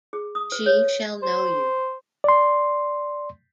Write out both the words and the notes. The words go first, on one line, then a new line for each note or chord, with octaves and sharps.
She shall know you.
G#4
D#6
B4
C#5
C5
D5 C6